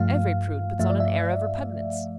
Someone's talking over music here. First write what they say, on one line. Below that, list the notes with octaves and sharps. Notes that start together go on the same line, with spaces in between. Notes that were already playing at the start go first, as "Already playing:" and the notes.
Every prude puts on an air of repugnance.
Already playing: G2 F3 A3 F5
G2 F3 A3 E5
D5
E5